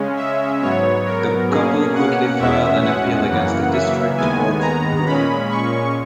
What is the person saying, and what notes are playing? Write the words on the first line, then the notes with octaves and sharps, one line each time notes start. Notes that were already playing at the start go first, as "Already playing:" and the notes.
The couple quickly filed an appeal against the district court ruling.
Already playing: C#3 G#3 C#4
E5
G#2 F#3 B3 C#5
A#4
B2 A#3 C#4 G#4
F#5
E2 B2 G#3 C#4 E5
F#5
F#2 C#3 E3 A#3
E5
D#2 D#3 G#3 B3 G#5
A#5
A#2 G#3 C#4 B5
C#6